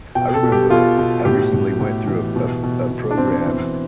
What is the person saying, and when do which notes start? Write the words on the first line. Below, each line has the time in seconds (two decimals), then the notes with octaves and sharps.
I remember, I recently went through a p a p a program
0.15 B2 G5
0.34 A4
0.43 B2
0.52 G4
0.70 B2 F4
0.98 B2
1.25 A2 G4
1.53 A2
1.81 A2
2.08 E3
2.36 B2
2.63 B2
2.90 B2
3.11 D4
3.18 B2 C4
3.46 E3